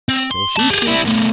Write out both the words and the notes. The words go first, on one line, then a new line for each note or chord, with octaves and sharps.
"He'll shoot you."
C4
C6
A#3 A5
G4 G#4
G3 E4
B2 A3